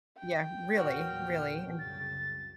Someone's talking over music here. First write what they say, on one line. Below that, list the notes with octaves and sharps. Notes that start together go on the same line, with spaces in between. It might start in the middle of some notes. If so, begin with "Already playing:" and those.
Yeah, really really, and
G5
E2 A#2 F#4 A#4 C#5 F6
C2 F#2 C#3 A6